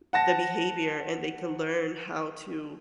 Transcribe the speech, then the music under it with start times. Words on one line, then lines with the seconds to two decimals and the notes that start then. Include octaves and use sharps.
the behavior and they can learn how to
0.13 F#5 A5 A#6